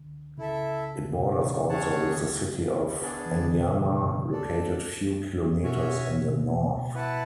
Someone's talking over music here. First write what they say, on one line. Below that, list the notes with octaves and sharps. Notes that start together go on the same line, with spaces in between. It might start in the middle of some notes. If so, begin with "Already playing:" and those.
It borders also with the city of Anyama, located few kilometers in the north.
Already playing: D3
C#3 E4 A4 E5
C#3
B2
C#3
C#4 G#4 C#5 F#5 A5
B3 D4 G#4 D5
E3
D3
C#3
B2
A2
B2
C#3
A2 D4 A4 D5
B2 C#4 F#4 C#5 E5 G#5
B2
A2
E4 B4 F#5 A5